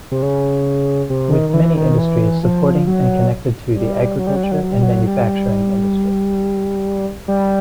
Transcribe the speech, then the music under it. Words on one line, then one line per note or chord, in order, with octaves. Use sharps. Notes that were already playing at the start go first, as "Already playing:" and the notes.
With many industries supporting and connected to the agriculture and manufacturing industry.
C3
C#3
C3
D#3
D#3
E3
D#3
E3
F3
F#3
G3
F#3
G3
F#3
G3
F#3
F#3
G3
F#3
G3
G3